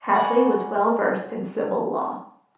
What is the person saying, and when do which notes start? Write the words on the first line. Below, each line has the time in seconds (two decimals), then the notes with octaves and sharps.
Hadley was well versed in civil law.
0.13 D5 F#5 G#5 A#5 B5 C#6